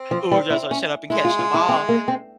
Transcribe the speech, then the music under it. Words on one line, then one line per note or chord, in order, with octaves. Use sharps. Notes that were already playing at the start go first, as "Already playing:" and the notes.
who are just, like, "Shut up and catch the ball,"
Already playing: C4
F3
G3
E4
C#4
G#3 E4
F4
F4
E4
C4
A#3
C4